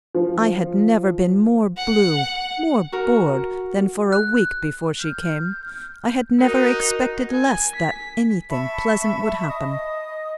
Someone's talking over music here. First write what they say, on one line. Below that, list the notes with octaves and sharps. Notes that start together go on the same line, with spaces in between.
I had never been more blue, more bored, than for a week before she came; I had never expected less that anything pleasant would happen.
F3
F#5
F#4 A#4
F#6
F6 G6
D#4 F#4 A#4 F#6
G#5
B6
E5 A5 B5 C#6
D#5 D#6